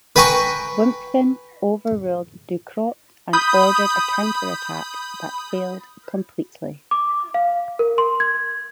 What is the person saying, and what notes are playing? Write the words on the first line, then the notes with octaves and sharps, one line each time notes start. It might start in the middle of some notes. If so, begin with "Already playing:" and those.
Wimpffen overruled Ducrot, and ordered a counterattack that failed completely.
B4 G5 G#5 A#5 C#6
B5 D#6 G6
D6
F5
A#4
C6
G#6